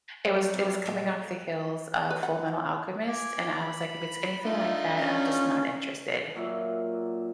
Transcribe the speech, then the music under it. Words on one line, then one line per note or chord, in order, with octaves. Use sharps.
it was it was coming off the heels of Fullmetal Alchemist, and I was like, "If it's anything like that, I'm just not interested,"
F#3 E4 A4
C3
A#2 G#3
B4
F#5
G#5 D6
B5
D3 D#4 F4 E5
C#4
A#2 F#3 E5 D6